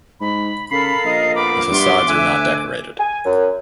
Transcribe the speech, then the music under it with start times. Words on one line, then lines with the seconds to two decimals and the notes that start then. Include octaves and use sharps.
The facades are not decorated.
0.21 G#2 B5
0.71 C#3 A4 A#4 F5 B5 C7
1.05 A#1 D#5
1.35 B3 D#4 B5 D6
1.71 G2 B3 F4 E5 C6
2.09 D2 E5 G#5 E6 F#6
2.99 G#5
3.25 F#2